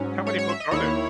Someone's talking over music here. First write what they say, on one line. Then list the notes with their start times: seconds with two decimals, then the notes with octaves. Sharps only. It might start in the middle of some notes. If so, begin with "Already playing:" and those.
How many books are there?
Already playing: G#2 F#3 C#4
0.27 C#5
0.39 C#5
0.49 E5
0.60 D#5
0.71 D#2 D#3 A#3 E4 C#5